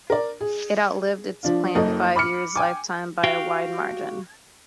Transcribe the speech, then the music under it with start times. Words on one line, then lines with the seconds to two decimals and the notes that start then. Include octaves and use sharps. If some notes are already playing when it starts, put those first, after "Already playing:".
It outlived its planned five-year lifetime by a wide margin.
0.10 A#4 D5
0.41 G#4
1.43 F3 D4 F4
1.75 F#1 F#2 A4 D#5
2.16 B5 D6 F6 C#7
2.56 G5 G#5 D6
3.24 F#4 G4 F5 G5